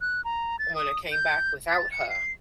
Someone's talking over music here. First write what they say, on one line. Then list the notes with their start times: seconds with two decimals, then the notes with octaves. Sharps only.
when I came back without her,
0.01 F#6
0.25 A#5
0.59 A6
0.75 D#6
1.12 G6
1.69 A6
1.91 C#7
2.10 C7